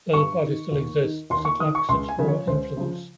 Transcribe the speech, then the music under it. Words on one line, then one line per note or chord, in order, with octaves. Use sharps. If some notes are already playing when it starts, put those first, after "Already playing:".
Though the party still exists, it lacks its former influence.
G2 C#6
D#3
D#2
D#3
D#2 C6
C#6
D#3 D#6
C#6
C#2 C6
G#5
C#3 F3
C#5
C#2 C5
C#3 F3